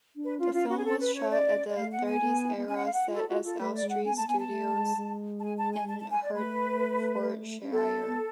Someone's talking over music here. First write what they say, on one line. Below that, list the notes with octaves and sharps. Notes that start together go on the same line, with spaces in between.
The film was shot at the "thirties era" sets at Elstree Studios in Hertfordshire.
D4
B4
C#4 F4
F4
F#4
G#4
A4
B4
C#5
D5
D5
A3 F5
F#5
B3
G#5
B3
B3
C#4 G#5
F#5
F5
F#5
F4
F#4 A4
F4 F#4
F4 A4
A3 B4
D5
G#3
F#5
C#4 G#5
B3
A5
A3
B3 G#5
A5
A3
G#3
G#3
A5
G#5
A5
G#5
A5
A5
G#5
D5
A3 B4
C#4
B3 A4
B3